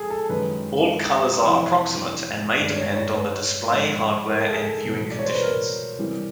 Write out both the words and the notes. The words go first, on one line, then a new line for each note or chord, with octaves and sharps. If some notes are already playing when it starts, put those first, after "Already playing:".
All colors are approximate and may depend on the display hardware and viewing conditions.
Already playing: F3 G#3 G#4 A4
A4
F#2 D#3 G#3 B4
F2 C3 E3
G2 D#3 G#3 D5
C#5
C#5
B4
G#2 F3 G#3
A#4
A4
G#4
A4
E2 B2 G3
D5
C#5
C5
B4
A#4
C3 E3 G3